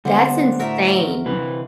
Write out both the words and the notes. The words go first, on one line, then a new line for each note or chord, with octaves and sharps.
That's insane.
D3 G3 B3 G4 C5
A2 F#4 A#4 E5
C3 E3 B4